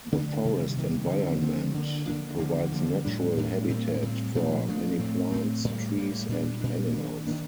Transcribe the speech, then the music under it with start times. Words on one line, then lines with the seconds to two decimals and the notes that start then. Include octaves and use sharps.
The forest environment provides natural habitat for many plants, trees, and animals.
0.12 D3 A3 D4
0.45 C3 D#3 G3 A#3
0.77 C3 D#3 G3 A#3
1.10 D3 F3 C4
1.42 D3 F3 C4
1.74 D3 F3 A#3 D4
2.07 D3 F3 A#3 D4
2.39 D3 F3 A#3
2.71 D3 F3 A#3
3.05 A2 G3 D4
3.37 A2 G3 D4
3.69 A2 G3 C4
4.02 A2 G3 C4
4.35 A#2 F3 A3 D4
4.67 A#2 F3 A3 D4
4.99 A2 A3 C4
5.31 A2 A3 C4
5.64 A2 G3 A#3
5.97 A2 G3 A#3
6.29 A#2 G3 D4
6.61 A#2 G3 D4
6.93 D#3 A#3 D4
7.27 D#3 A#3 D4